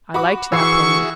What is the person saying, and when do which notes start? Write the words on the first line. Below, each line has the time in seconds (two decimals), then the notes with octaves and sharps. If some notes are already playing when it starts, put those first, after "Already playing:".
I liked that pony.
0.14 F#4 B5 D6
0.52 E3 F#4 G#4 E5 C#6 E6 C7